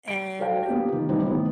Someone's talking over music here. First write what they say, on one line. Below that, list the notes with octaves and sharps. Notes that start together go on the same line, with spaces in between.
And m
D7
F#4 A4 C5 D5 F5 G5
A#3 B3 D4 F4 G4
D#3
E3 G3 C4 D#4 F4 B4
A2 D#3 B3